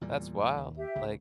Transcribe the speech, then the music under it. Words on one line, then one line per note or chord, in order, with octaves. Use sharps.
That's wild, like,
E2 A#2 G3
D#2
G4 E5
C#2 C#3